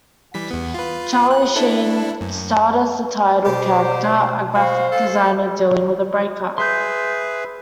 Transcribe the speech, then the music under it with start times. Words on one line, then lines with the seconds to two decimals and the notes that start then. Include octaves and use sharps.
Charlie Sheen starred as the title character, a graphic designer dealing with a break-up.
0.34 E3 G3 B6
0.51 E2 B3
0.74 F4 B4
1.31 F#6
1.55 D4 E4 A4
2.21 F#2
3.45 B2 D3 G4 C5
4.55 F#4 C5 F5
4.92 A4
6.58 G#4 B4 E5 C6 G6